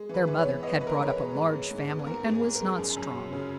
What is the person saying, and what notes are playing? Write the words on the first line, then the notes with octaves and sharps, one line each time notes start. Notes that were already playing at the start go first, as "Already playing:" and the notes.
Their mother had brought up a large family, and was not strong.
Already playing: G#3
E3 B4
E3
C#5
B3
B3 D#5
E3 B4
A#4
G#3 C#5
B4
E3
G#2
G#3
G#2
B3
G#4
G#2 A#4
G#2
G#4
G#2
A#4
G#3
F#2
F#2
F#3
C#3